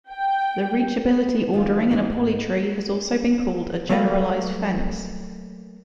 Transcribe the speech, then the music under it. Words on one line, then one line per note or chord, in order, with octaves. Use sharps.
The reachability ordering in a polytree has also been called a "generalized fence".
G5
D#3 F3 D4 F4
E3 C4 D#4 F#4
G#2
F#3 A3 A#3 B4 F5